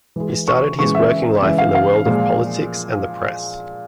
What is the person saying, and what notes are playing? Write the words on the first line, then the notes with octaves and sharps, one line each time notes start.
He started his working life in the world of politics and the press.
E3 G#3
C#6
C#3 E3 G#3 C#6
E5
C#3 E3 G#3 E5
F5
F5
A#2 F3 G#3